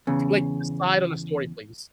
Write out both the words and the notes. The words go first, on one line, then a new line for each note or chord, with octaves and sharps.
Like, decide on the story, please.
E2 C#3